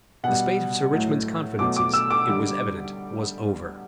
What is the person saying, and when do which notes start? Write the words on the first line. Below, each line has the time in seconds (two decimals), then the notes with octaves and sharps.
The spate of Sir Richmond's confidences, it was evident, was over.
0.24 B2 G3 F#5
0.92 A2 F#3 A3
1.59 B2 F#3 A3 D6
1.76 D6
1.93 E6
2.10 D6
2.28 D3 G3